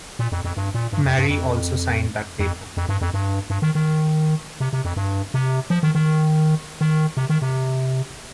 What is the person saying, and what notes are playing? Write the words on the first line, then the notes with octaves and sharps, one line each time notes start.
Mary also signed that paper.
A#2
F2
F2
G2
A#2
G2
F2
G2
F2
F2
F2
G2
F2
G2
G2
D#3
D#3
C3
C3
F2
G2
C3
F3
D#3
D#3
D#3
C3
D#3
C3